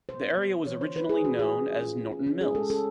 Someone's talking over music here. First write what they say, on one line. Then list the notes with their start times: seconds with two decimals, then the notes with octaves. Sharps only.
The area was originally known as Norton Mills.
0.09 B2 C5
0.23 B3
0.37 B3
0.52 B3
0.66 E3 C#5
0.80 F4 C5
0.95 E3 B4
1.09 E3 G#4
1.25 A3 F#4
1.39 F4 G#4
1.54 C#4
1.68 C#4
1.82 F4
1.98 F4
2.12 C#4
2.27 C#4
2.41 G#3 G#4
2.55 G#3 A4
2.70 C#4 A4